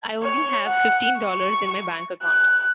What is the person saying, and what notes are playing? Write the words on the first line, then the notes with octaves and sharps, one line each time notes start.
I only have fifteen dollars in my bank account.
C#5
F#5
C#6
F#6